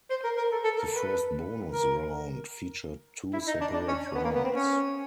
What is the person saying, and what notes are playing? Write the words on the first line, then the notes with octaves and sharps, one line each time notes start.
The first bonus round featured two separate rounds.
C5
A#4
A#4
A4
A4
A#4
B4
A#4
E4
D#4
D4
D4
C#4
B3
A#3
B3
C4
C#4